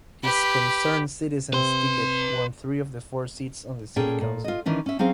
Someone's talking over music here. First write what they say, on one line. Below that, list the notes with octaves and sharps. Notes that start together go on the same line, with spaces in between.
His Concerned Citizens ticket won three of the four seats on the city council.
G4 B4
C3 C4 B4 C6
A#2 C#4 G#4 A4 G5
A#2
F4 D#5
D#3 E3 C#4 D4
C#4 E5
F#3 C4 C#4 G#4 C5 F5